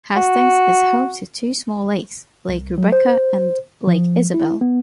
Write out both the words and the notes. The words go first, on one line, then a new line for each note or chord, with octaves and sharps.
Hastings is home to two small lakes, Lake Rebecca and Lake Isabel.
F#4
C2
F#3
C5
F3
E4
B3